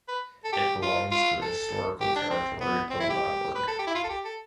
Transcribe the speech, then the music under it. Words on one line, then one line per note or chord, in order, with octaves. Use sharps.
It belongs to the historical territory of Labourd.
B4
A4
G4
F4
F4
A4
G4
D4
C4
B3
C4
E4
G4
B4
A4
G4
E4
F4
A4
G4
A4